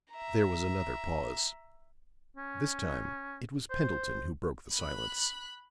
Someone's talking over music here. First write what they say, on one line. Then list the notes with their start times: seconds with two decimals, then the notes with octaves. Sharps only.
There was another pause; this time it was Pendleton who broke the silence.
0.12 E5 A#5
2.37 C#4
3.70 C5
4.73 B5 F#6